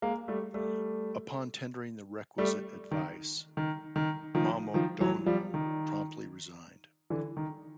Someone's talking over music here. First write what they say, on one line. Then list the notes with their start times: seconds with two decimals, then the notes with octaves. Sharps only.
Upon tendering the requisite advice, Momoedonu promptly resigned.
0.02 G#3 A#3
0.28 G3 A3
0.54 G3 A3
2.38 G3 A3
2.91 D#3
3.57 D#3
3.96 D#3
4.35 D#3 F3
4.74 D#3 F3
5.01 E3 F#3
5.26 F3 G3
5.54 D#3
7.10 D3 E3
7.37 D#3